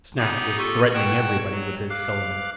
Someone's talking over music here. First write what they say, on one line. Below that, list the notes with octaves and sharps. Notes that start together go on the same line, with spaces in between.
Snap was threatening everybody with his cylinder.
B3 D#4 G4 G#4
F4 G4 A4 G#5 C#6
F#5 G5 A5 C#6 F#6 G#6
F#3
F5 D6 F6 F#6